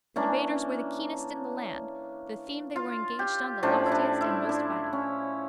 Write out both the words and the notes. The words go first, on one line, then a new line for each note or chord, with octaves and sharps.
The debaters were the keenest in the land, the theme they were engaged on the loftiest and most vital.
E3 A#3 C#4 D4
F4
G4
A2 F3 C#4 D4
E4
D4
E4
D4
C#4